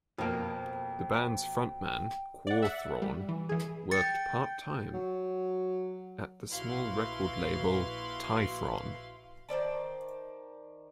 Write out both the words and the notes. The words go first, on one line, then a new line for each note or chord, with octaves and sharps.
The band's frontman, Quorthon, worked part-time at the small record label Tyfon.
F2 B2 A#3 G5 D7
D5 F#5
E5 F#5
G3
E3
E3 G#4
G5 A6 C#7
F#3
A#1 E4 F#4 B4 F5 C6
D#3 C5 D5 A5